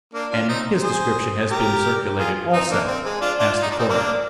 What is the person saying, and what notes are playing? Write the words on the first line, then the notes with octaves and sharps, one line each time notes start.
"And his description has been circulated also?" asked the coroner.
A#3 D4
D4 F4
C4 D#4
G#4 C5
G4 A#4
F4 G#4
C4 D#4
A#3 D4
C4
G#3
D4 F4
D4 F4
F4
D#4
D4
C4 D#4
A#3 D4